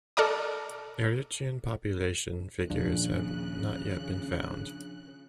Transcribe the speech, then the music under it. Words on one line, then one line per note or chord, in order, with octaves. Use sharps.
Eritrean population figures have not yet been found.
A4 A#4 D5 D#5 A#5 D6
D#2 A#2 C#3 F3 D4 F4 F#6